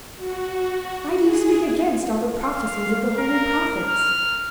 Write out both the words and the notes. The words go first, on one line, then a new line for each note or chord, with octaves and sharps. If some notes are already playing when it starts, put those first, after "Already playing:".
Why do ye speak against all the prophecies of the holy prophets?
F#4
G#4
F5
A#4
F6